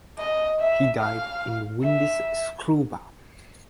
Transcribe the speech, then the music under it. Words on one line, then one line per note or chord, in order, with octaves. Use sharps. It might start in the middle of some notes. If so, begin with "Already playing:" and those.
He died in Windischleuba.
D#5
E5
F5
E5